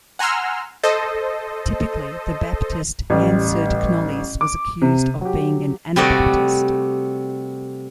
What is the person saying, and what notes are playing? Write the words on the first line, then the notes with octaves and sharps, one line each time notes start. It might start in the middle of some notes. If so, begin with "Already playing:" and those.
Typically, the Baptist Hanserd Knollys was accused of being an Anabaptist.
F#5 G#5 A#5 C6 E6 F6
A4 C5 D#5
A1 G3
D6
C3
F#3 G4
C3 G3 A3 F#4 D5 D#5